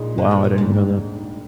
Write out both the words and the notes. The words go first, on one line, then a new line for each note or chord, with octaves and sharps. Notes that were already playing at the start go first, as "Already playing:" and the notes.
Wow, I didn't even know that.
Already playing: A#1 A#2 G#3 D#4 G#4
D3
C3
A#2
F1 D#2 G#2 D3 G3 C4